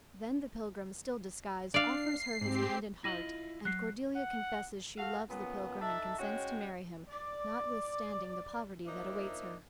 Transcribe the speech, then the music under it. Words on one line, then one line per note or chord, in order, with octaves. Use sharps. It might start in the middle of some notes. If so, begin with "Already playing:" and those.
Then the pilgrim, still disguised, offers her his hand and heart and Cordelia confesses she loves the pilgrim and consents to marry him, notwithstanding the poverty that awaits her.
D4 D5 F5 C7
G#2 C4 G4
E4 F4 D#5 A#6 D#7 F#7
F#3 F#6 C7
F#5
F#4 A4 F5
A#2 C#3 B3
D4 D#4 A4 E5
G#3 C#4 F#4 C#5 G5
D5
F3 A#3 D4 D#4 E5